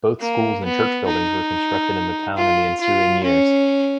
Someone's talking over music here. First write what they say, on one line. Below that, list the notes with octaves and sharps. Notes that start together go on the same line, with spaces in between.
Both schools and church buildings were constructed in the town in the ensuing years.
A#3
B3
D#4
F4
F4
C#4